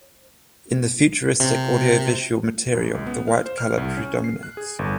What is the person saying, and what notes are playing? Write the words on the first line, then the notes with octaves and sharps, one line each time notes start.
In the futuristic audiovisual material the white color predominates.
C3
F#2
C#2
B3
F5
C5
F6
C2
C#4
C7
F#6
G#4
G1